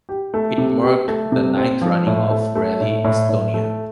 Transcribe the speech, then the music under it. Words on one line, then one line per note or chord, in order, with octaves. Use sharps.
It marked the ninth running of Rally Estonia.
G4
A3
C3
G4
A3
C3
C4
F3
A2
A3
A3
A2
A2
A2
A3